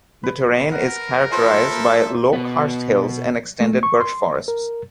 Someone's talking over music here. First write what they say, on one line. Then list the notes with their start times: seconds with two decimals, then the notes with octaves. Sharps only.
The terrain is characterised by low karst hills and extended birch forests.
0.24 B4
0.72 A#4 F#5
1.32 F4 A4 B4 C5 E5
1.70 A#3
2.33 B2 B3
3.60 A3
3.83 C#6
4.00 C6
4.48 A#4